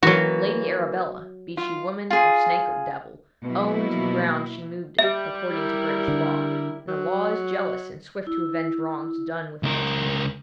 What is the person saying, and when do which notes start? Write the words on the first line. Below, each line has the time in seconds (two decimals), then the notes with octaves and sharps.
Lady Arabella, be she woman or snake or devil, owned the ground she moved in, according to British law, and the law is jealous and swift to avenge wrongs done within its ken.
0.03 E3 F#3 A#3 F#4
1.57 F4
2.10 F4 G#4
3.43 B2 F#3 A#3 E4
4.99 G3 E5
5.51 E4 A#4
6.08 D3
6.88 F#3
8.27 E4
9.63 C#2 A#4